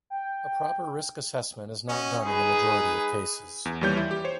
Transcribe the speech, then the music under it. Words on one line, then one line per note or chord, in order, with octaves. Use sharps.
A proper risk assessment is not done in the majority of cases.
G5
C#4 F#4 D#5
G#3 D#4 G#4 B4
E2
D#2 E3 G3 C#5 G6
E4
G4
C5 C#5